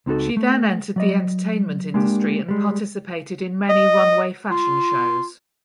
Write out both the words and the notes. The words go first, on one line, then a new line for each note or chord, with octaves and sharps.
She then entered the entertainment industry and participated in many runway fashion shows.
C#2 C4 D#4 F#4 A4
A3
F#3 D5 D#5
G#3 A#3 D4 G4
G3 G#3
D#5
F4